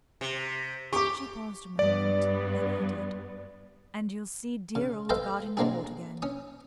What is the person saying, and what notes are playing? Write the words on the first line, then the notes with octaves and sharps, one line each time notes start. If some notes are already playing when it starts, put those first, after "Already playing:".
She paused a moment, then added: "And you'll see dear old Gardencourt again!"
C3
G4 C#6 D6
G2 B3 D5
C#3
A4 B4 C5 D#5 F5 G5
F#3 G#3 A#3 C4 D4 G#4
C#4 D#6